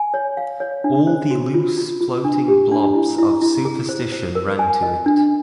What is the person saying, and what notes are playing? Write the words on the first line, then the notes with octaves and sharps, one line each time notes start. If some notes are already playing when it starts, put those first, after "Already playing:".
All the loose floating blobs of superstition ran to it.
Already playing: G#5
C#5
F5
C#5
D4
C5
F#4
F4
F4
F4
D4
G4
D4
E4
E4
E4
G#4
C5
C5
A#4
G#5
D#5
D4